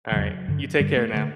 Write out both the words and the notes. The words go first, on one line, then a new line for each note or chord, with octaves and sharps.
Alright. You take care now.
E3
E2 C#3 F#3
G2 D3
G2 D3 G3
A3
D3 A3